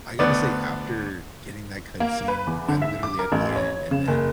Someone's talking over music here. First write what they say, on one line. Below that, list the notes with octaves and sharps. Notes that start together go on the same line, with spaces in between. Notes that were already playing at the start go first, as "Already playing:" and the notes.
I gotta say, after getting that cutscene, I literally at the end, and then
D2 B3 D5
A#3
B4
E2
D3
E5
D6
A#4
A1
C#5
C#3
F#1